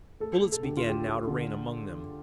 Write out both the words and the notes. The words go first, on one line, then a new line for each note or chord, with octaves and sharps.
Bullets began now to rain among them.
A3 A4
A3
A4
D2 G4
F4
D2 G4
A3
D3